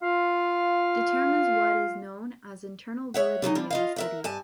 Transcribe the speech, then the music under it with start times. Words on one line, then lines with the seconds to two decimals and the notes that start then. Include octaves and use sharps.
Determines what is known as internal validity of the study.
0.02 F4 F5
3.14 C#5 E5 F#5
3.42 D3 F#3 G#3 D#4
3.55 G3 C4 D4 F4
3.70 F4 D#5 F5
3.96 A#4 E5 F#5
4.24 G2 G#5 A5